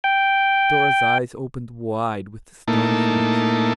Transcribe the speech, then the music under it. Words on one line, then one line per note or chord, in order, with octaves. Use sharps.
Dora's eyes opened wide with astonishment.
G5
A#2 A3 A#3 D#4 E4 A5